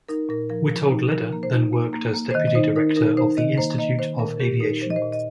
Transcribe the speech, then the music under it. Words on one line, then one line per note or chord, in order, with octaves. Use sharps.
Witold Leder then worked as deputy director of the Institute of Aviation.
D#4 A#4
A#2 A#4
F3 A#4
F3
D#4
F3 A#4
A#3
C5
D#4
A#3
A#3
A#3
C5
D#3 D#5
D#5
D#4 C5
D#4 A#4
D#4 A#4
D#4 C5
D#3 D#5
A#3 C5
A#3 D#5
D#3 C5
A#2 A#4
A#2 G4
D#4 A#4
A#2 C5
D#5
C5
A#2
D#5